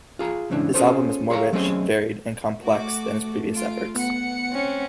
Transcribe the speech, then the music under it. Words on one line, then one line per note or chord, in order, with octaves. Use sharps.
This album is more rich, varied, and complex than his previous efforts.
F4 G#4 A#5
E2 G#2 C#3 E3 D4
C#4 F4 G#4 A4 C5 C#5
G#4 C#5 F5 A#5
F#3 A3 C4 C#4 G#4 D#5
A3 F#4 D6
F4 D7
B3 F#5 C#7
C4 C#4